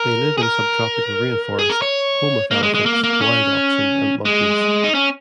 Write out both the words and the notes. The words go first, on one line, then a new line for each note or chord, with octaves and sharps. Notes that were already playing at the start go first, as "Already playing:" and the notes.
They live in subtropical rainforest, home of elephants, wild oxen and monkeys.
Already playing: A#4
G#4
A#4
G#4
A#4
C#5
A#3
G#3
G#3
A#3
A#3
C#4
G#3
D#4
C#4